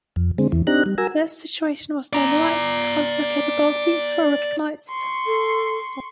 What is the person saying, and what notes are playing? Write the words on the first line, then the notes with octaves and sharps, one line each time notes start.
This situation was normalised once their capabilities were recognised.
F2
D3 G#3 C4
E2 E3
C4 D4 D#4 G4 A#5 F#6
G3
F#4 A#4 G#5 A#5 E6
D5 A#5
C6 C#6
A4